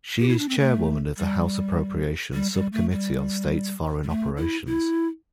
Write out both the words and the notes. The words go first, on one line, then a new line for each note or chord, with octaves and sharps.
She is Chairwoman of the House Appropriations Subcommittee on State-Foreign Operations.
G4
E4
D4
C4
A3
G3
G3
G3
A3
G3
G3
A3
E4
E4